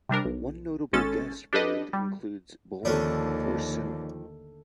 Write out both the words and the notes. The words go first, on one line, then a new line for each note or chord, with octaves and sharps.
One notable guest band includes Bowling for Soup.
C3 G3 D4 A#4
B1
G#1 G#3 C#4 A4 A6
D4 G4 A4 B4 D#5
G3
D#2 D3 D#3 F3 C#4 D4 A4